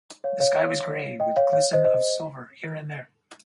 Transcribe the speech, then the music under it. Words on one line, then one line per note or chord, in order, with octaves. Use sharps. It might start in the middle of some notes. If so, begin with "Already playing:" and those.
The sky was grey, with glisten of silver here and there.
C#5 F5
C#5 F5
D#5 G5
C#5 F5
C#5 F5
C5 D#5
C5 D#5